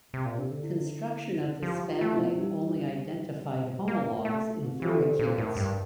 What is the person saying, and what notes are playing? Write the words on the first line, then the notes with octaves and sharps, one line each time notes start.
Construction of this family only identified homologues in Firmicutes.
C3
A#2
C3 D4
D3
E4
F3 G4
F4
A3
E4
F3
G3 D4
A#3
A3
C4
E3 G4
A4
D3
C5
A#2
A2 A#4
G2